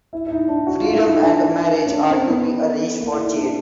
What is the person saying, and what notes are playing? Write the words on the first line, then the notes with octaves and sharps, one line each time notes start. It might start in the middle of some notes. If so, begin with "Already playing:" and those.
Freedom and a marriage are to be arranged for Jade.
E4
E4
D#4
D4
F#4
F4
E4
D#4
D4
C#4
D4
C4
B3
A#3
E4
D#4
D4